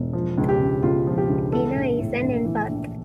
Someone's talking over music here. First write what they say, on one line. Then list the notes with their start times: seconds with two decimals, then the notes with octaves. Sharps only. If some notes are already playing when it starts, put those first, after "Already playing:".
Tina is an empath.
Already playing: E1
0.13 F3
0.38 C#2
0.49 G4
0.60 C#3
0.83 C#2 F4
1.07 F3
1.18 G4
1.29 C#2
1.52 E3 A4
1.76 A#1
1.99 A2
2.23 A#1
2.45 E3
2.69 A#1